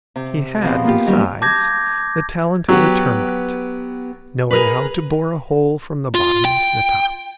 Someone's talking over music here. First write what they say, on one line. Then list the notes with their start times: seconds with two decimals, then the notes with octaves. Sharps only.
He had, besides, the talent of the termite--knowing how to bore a hole from the bottom to the top.
0.16 C3
0.62 E2 B2 F3 C4
0.84 A#3 B3 F4 G4
1.07 D#3 F#3 G3 C#4
1.42 A5 D6 G6 G#6 A#6
2.69 F#3 B3 G4
4.51 G#4 A#4 B4
6.15 F4
6.45 G5